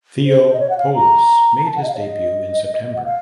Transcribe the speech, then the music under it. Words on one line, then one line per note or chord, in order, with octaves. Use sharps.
Theo Poulos made his debut in September.
C5
D#5
C#5
F#5
F5
A#5
A#5
A5
F#5
D#5
F5
C#5
D#5
F#5
F5